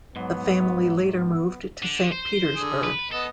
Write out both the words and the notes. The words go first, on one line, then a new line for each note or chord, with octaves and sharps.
The family later moved to Saint Petersburg.
G#2 F#3 B3
B3
D3
C5
D3 G#4
B4
B3 A4 D#5